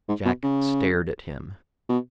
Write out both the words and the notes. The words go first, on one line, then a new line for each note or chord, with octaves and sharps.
Jack stared at him.
G#2
B2
C#3
B2